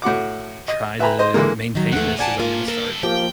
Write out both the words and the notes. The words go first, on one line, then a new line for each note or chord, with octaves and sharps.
try to maintain this, is I'm gonna start
A2 F#4 F#5 D6
D#5
B4 E5 G5 G#5 A#5 B5
C5 D#5 C6
D3 E3 G#3 A#3
D#3 F#3
E2 A#2 A3 F#5
F2 D5 F#5 G#5 A5
A#3 D4 F4 A#4 G#5
G2 A4 A#4
F3 A#3 G4 G5